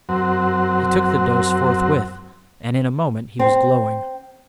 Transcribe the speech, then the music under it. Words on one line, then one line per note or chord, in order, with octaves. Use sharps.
He took the dose forthwith, and in a moment he was glowing.
F#2 F#3 C4
C4